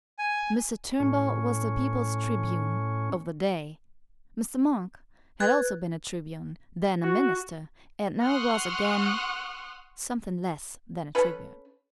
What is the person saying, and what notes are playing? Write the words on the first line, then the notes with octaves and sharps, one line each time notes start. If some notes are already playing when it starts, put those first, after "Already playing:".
Mr. Turnbull was the people's tribune, of the day; Mr. Monk had also been a tribune, then a Minister, and now was again--something less than a tribune.
G#5
A2 C#4
B4 F#6 G#6 A6
F#4
F#5 C6 C#6 D#6 F6 F#6
C#4 A4 B4